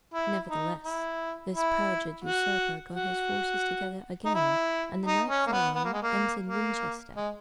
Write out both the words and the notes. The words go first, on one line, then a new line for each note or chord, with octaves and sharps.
Nevertheless, this perjured usurper got his forces together again, and the night following entered Winchester.
E4
D#4
E4
E4
F#4
F#4
D#4
E4
D#4
C#4
A#3
B3
B3
A#3
G#3
A#3
A#3
G#3